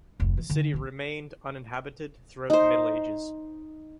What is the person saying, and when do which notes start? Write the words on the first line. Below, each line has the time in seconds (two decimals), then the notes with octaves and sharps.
The city remained inhabited throughout the Middle Ages.
0.20 F1 D2
0.37 E3
0.50 D3 C#4
0.74 A#1 C#4
2.50 D#4 C5